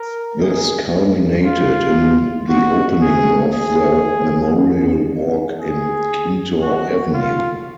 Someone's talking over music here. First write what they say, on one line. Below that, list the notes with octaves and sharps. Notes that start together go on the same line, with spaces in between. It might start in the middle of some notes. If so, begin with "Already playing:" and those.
This culminated in the opening of the Memorial Walk in Kintore Avenue.
Already playing: A#4
G#4
F4
F#4
G#4
G#4
G#4
F#4
F4